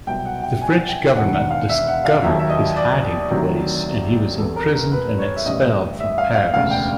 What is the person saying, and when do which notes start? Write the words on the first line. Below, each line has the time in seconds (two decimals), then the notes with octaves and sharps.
The French government discovered his hiding-place, and he was imprisoned and expelled from Paris.
0.07 C2 B2 F#3 G5
0.25 F#5
0.43 G5
0.61 G#5
0.89 G5
1.15 E1 D#2 D#3 F#5
1.33 F#5
1.51 F5
1.69 E5
1.87 F#5
2.05 F5
2.23 D#2 D#3 F#3 E5
2.39 E5
2.50 D#5
2.76 D5
3.30 D2 C3 D#3 F#3
4.38 E2 C3 E3 A4
4.56 A#4
4.73 A#4
4.92 B4
5.18 C#5
5.36 E5
5.45 A1 G2 D3 D#5
6.00 E5
6.18 F5
6.35 F5
6.53 E1 D2 C#3 F5
6.71 G5